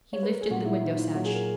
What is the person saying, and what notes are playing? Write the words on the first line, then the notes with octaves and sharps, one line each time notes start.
He lifted the window-sash.
C#5
B4
A#4
G#4
A#2 F#3 F#4
E4
D#4
E4
A#2 F#3 F#4
G#4
A#4